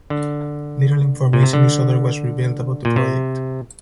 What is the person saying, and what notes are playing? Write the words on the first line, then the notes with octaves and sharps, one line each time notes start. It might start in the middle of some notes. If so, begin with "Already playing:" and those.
Little information is otherwise revealed about the project.
D3
A#2
C3
D3
A#2
C3